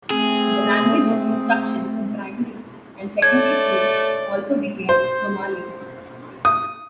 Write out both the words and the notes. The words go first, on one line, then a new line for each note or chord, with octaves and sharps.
The language of instruction in primary and secondary schools also became Somali.
A3 C4 G#4
A3 C#5 D5 G#6
C5
D#6